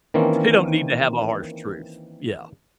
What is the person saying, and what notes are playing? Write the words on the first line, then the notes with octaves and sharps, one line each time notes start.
they don't need to have a harsh truth, yeah.
D#3 E3 A#3 C4 C#4